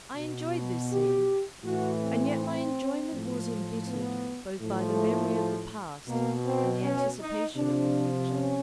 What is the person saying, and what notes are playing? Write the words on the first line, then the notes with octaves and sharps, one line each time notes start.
I enjoyed this scene, and yet my enjoyment was embittered both by the memory of the past and the anticipation of the future.
B2
G4
A2 E3 F#4
C4
A2 F3
B3
A2 F3 A3
B2 A#3
C4
C#4
D#4
C3 F3 D4
C#4